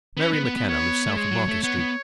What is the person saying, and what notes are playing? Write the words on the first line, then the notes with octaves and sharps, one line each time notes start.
Mary McKenna lives south of Market Street.
B3
C#4 B4
B3
B3
B3
B3 C#5
A3
G#3 C#5
F#3
A3
B3 C#5
B3